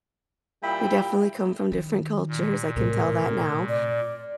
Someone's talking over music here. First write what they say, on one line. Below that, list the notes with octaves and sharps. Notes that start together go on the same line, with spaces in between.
we definitely come from different cultures, I can tell that now,
A#2 G3 E4 G5
D#3
A#2
A2 C3 A#4
D5